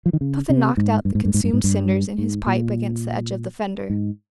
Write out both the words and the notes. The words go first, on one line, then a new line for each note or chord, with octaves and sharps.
Puffin knocked out the consumed cinders in his pipe against the edge of the fender.
F3
D#3
C#3
C3
G#2
G2
G#2
G2
G#2
G2
G#2
G2
G#2
A#2
G#2